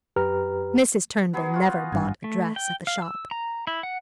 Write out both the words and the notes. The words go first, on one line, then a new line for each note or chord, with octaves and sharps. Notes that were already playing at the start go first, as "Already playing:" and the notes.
Mrs. Turnbull never bought a dress at the shop.
F#2 G4 B4 A#5 F6
F#3 B3 G#4
F4 F#4
G#1 G2 G#5
A3
G5
F5
E6
A#5
E4
F#5